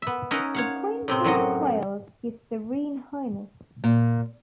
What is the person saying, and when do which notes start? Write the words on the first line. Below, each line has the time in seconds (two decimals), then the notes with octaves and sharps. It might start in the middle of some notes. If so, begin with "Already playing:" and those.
The Prince is styled "His Serene Highness".
0.02 B3 E5
0.31 C#4 D#4 A#4 E5 F#5
0.55 C#5 F5 F#5
1.08 A2 C3 C4
1.24 F#2 F#3 F#4 D#5
3.84 A#2